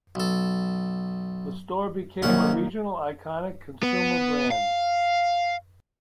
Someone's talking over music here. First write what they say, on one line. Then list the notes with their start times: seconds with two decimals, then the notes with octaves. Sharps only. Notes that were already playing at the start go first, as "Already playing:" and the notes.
The store became a regional Iconic Consumer brand.
0.15 B1 A4
2.22 C2 D#3 F#3 A#3 C#4 F#5
3.83 B3
4.50 F5